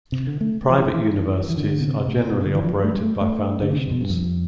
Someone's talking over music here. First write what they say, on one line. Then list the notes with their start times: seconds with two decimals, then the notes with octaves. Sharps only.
Private universities are generally operated by foundations.
0.12 C3
0.27 D3
0.41 A3
0.70 F3
0.78 E3
0.86 D3
0.93 E3
1.50 E3
1.57 D3
1.72 A2
1.80 B2
1.87 C3
2.08 A2
2.17 B2
2.31 B2
2.45 D3
2.55 E3
2.64 F3
2.74 G3
2.84 A3
2.94 G3
3.03 A3
3.21 A3
3.62 D3
3.72 B2
3.76 C3
3.91 B2
4.01 G2
4.10 F2